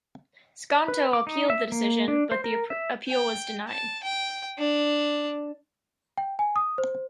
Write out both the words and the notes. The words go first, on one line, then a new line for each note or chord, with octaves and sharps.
Skonto appealed the decision, but the appeal was denied.
B4
D6
D#4
E5
A#3
D4
C5
A#4
E5
G5
A5
G5
D4
G5
G#5
D#6
C5